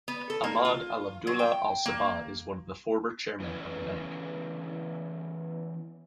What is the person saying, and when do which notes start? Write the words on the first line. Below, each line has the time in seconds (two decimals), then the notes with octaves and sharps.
Ahmad Al Abdullah Al Sabah is one of the former chairmen of the bank.
0.08 B3
0.30 A4
0.44 A#3
0.65 F4
1.27 F#3
1.39 G5
1.86 A#3
3.40 E3 B3 C#4